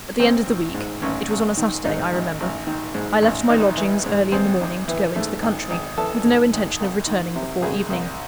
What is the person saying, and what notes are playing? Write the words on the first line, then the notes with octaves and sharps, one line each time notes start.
At the end of the week--it was on a Saturday, I remember--I left my lodgings early in the morning, to go into the country; with no intention of returning before evening.
A1 C4
D#3
G#2
A1 C#4
A1
D#3
G#2 D#4
A1
A1
D#3
G#2
A1
G#1 D#4
E3
G#2
G#1 C4
G#1
E3
G#2 A3
G#1
G#1
E3 A4
G#2
G#1
C2
D#3
C3
C2 G#4
C2